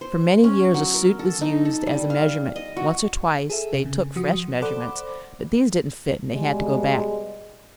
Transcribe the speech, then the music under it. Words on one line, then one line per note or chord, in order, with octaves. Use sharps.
For many years a suit was used as a measurement; once or twice they took fresh measurements, but these didn't fit and they had to go back.
C5
C#4
F#3
A#4
A4
D#4
A4
G3
F5
D#5
F#4
G#4 A4 E5
C3
C#3
F3 F#4 D#6
A4 C5 D5 F#5 B5 D6
B2 G3 G#3